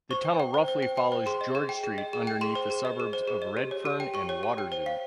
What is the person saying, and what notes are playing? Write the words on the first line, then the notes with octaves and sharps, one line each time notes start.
The tunnel roughly follows George Street underneath the suburbs of Redfern and Waterloo.
C5 C#6
G5
G5
C5
C5
G5
G5
C5
G#4 C6
D#5
G#4
G5
G#4
D#5
G#4
G5
G#4 C6
C5
G#4
D#5
G#4
C5
G#4
D#5
G4
C#5
G4
G5
G4 C#6
C#5
G4
G5
C5
F5